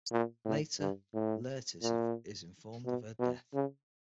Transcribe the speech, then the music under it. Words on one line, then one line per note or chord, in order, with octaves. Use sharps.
Later, Laertes is informed of her death.
A#2
A2
G2
A2
A#2
B2
B2
C#3